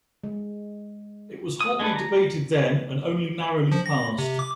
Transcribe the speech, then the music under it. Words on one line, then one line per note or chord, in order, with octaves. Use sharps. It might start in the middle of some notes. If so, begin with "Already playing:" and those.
It was hotly debated then, and only narrowly passed.
G#3
D#6
G#3 A3 D4 A4 B4
A#5
F3
A#6
C3
D6